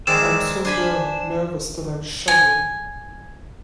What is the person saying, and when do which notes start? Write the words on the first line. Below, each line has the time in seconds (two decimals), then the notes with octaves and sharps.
I'm so darn nervous that I'm shivering.
0.07 D#3 G#3 C4 D5 E6
0.65 D4 C5 G#5 B5
2.28 G#5